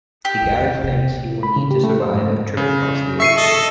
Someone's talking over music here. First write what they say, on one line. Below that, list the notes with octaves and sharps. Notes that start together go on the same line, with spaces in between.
He gathers things he will need to survive a trip across the ocean.
G4
E2 D#3
C3
B5
C#3
G4
A3
C5
G#2
C#3
E5 C#6 C7 D#7
A4 D#5